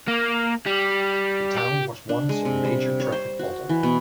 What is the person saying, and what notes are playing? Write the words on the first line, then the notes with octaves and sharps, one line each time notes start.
The town was once a major traffic bottleneck.
A#3
G3
G4
D4
G#3
C3
G3
C#5
C5
F#4
E3
B2